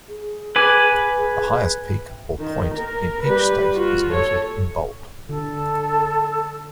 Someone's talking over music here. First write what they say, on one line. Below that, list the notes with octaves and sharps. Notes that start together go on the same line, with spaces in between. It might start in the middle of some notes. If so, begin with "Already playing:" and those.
The highest peak or point in each state is noted in bold.
G#4
B4 G#5 D6
D#3
A#4
G3 B4
F4 F#4
A4 C#5
D3 A4